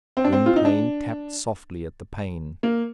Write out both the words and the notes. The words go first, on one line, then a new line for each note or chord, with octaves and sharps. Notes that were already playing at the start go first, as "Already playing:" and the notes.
Gwynplaine tapped softly at the pane.
C4
D4
C4
F4
D#4
D4
A#3